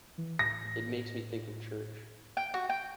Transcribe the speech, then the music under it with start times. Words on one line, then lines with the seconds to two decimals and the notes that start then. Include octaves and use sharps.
It makes me think of church.
0.18 E3
0.39 A2 A#6
0.65 A2
2.37 G5
2.54 F#4
2.69 G5